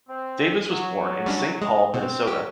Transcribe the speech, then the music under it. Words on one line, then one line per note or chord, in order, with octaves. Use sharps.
Davis was born in Saint Paul, Minnesota.
C4
F#3
G3 C#4 D4
A2 G#3 D#5
B2 C4
A#2 F#3 G4